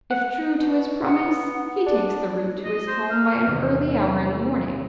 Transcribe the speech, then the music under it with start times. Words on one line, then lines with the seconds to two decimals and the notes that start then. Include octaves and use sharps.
If true to his promise, he takes the route to his home by an early hour in the morning.
0.11 F#5
0.58 B2 D4
1.03 B3 F#5
1.86 D4 D5
2.64 D#5
2.87 C5
3.10 F5
3.47 E2 C3 D#3